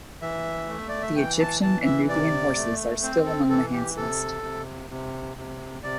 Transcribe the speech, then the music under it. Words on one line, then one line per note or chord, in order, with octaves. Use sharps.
The Egyptian and Nubian horses are still among the handsomest.
E3 E5
A3
D5
E5
E3 G5
A5
E3 A5
E5
C3 D5
A3
C4 C5
A4
E3 A4
G4
C3 A4
C3
C3
C3
C3 D5